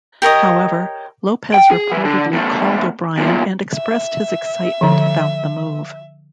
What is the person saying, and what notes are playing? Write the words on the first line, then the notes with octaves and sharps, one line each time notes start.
However, Lopez reportedly called O'Brien and expressed his excitement about the move.
G4 A#4 C#5 D#5
G5
G#4
E3
D3
E2 A3
E2 A#2
E5
D3 F3